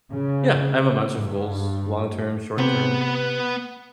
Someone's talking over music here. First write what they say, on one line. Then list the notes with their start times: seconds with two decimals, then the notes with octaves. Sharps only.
Yeah. I have a bunch of goals, long-term, short-term,
0.12 C#3
1.14 G2
2.58 C3 B3 B4